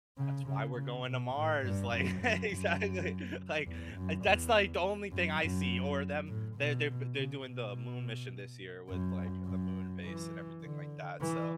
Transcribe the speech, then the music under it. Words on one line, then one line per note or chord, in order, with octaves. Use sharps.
That's why we're going to Mars, like exactly. Like, uh, that's, like, the only thing I see, or them they're they're b they're doing the moon mission this year with, like, the moon base and everything like that. So,
C#3
C#3
C#3
B2
A2
G2
F#2
F#2
F#2
E2
F#2
E2
F#2
F#2
A2
B2
C#3
B2
F#2
F#2
E3
D3
E3